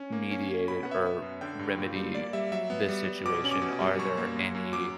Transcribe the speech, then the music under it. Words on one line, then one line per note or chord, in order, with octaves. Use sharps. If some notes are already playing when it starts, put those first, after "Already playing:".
mediate it or remedy this situation, are there any
Already playing: C#4
A#3
C#4
C#4
B2 B5
B3 F#5
E5
B3
F#2
D3 G5
G2
A#2
G3
A#3 D5
G3 E5
F#3 E5
B3
G3
G3
B2 D6
C#4
D6
B2
G3
F#2 C#6
A#3
F#2
F#2
F#3 D6